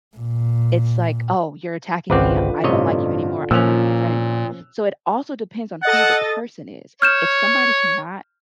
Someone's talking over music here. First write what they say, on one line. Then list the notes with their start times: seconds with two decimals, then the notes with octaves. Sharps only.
It's like, "Oh, you're attacking me. I don't like you anymore. I don't wanna be your friend anymore." So, it also depends on who the person is. If somebody cannot
0.17 A#2
2.10 G#1 C#2 D3 C4 F4 B4 F#5 D6
2.64 A1 G2 C3 C#5 D#5
3.51 A#2 F3 C#4 E6 F#6 F7
5.83 A4 D#5 F#5 A6
7.02 C#5 F6 G6 E7